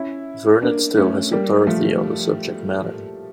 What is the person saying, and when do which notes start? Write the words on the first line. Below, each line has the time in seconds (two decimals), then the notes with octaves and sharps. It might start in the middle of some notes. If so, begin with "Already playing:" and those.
Vernet still has authority on the subject matter.
Already playing: C#4 E4
0.62 A#3 D4
0.97 A3 C#4
1.32 G3 A#3
1.67 F3 A3